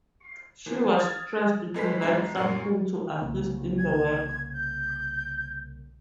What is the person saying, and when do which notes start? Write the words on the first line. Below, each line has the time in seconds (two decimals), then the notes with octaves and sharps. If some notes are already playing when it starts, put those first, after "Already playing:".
She was pressed to write something to assist in the work.
0.66 E3 F3 A#3
0.98 D#6 F6 G#6 A6
1.74 G#1 G#3 A4 B4 B6
2.01 E2 F3 G3 G#3 A#5
2.35 F#2 A#2 F#3 D5 C#6 C7
3.22 C2 C#3 A#3
3.78 G#6
4.54 G6